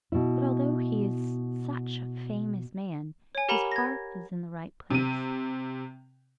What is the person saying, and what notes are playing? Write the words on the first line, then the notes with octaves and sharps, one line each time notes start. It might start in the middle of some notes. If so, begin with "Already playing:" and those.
But although he is such a famous man his heart is in the right place.
B2 E4
C#5 G#5
G4 A#4 F#5 A#5 B5 E7
G#6 A#6
C3 D#7